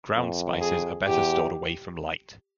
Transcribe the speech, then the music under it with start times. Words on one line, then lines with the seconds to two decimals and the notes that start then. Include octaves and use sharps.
Ground spices are better stored away from light.
0.16 F2
0.61 G#4
1.07 E2 G4